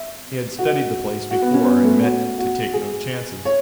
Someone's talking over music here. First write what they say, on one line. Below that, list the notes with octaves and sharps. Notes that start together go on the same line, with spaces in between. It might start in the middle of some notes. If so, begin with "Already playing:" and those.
He had studied the place before, and meant to take no chances.
Already playing: E5
F#4
F#4
B3
C#4
B3
A3
F#4
F#4
G#4
C#5